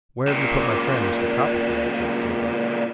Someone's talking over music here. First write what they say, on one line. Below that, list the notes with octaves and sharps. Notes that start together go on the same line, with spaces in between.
'Where have you put my friend, Mr. Copperfield?' said Steerforth.
C#2 A#2